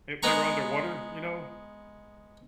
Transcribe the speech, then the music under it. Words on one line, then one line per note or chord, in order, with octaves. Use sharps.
they they were underwater, you know?
G#3 B3 A#5 C#6